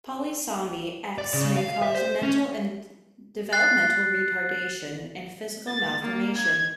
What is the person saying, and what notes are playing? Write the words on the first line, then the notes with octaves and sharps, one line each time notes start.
Polysomy X may cause mental and developmental retardation and physical malformation.
D5
C#3
F5
E5
C5
C#4
F#6 A6 C7
A6
A#3
G#6